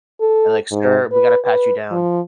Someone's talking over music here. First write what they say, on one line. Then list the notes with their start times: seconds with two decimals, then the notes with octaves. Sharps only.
and, like, "Sir, we gotta pat you down."
0.21 A4
0.71 G#2
1.12 B4
1.45 B4
1.91 F3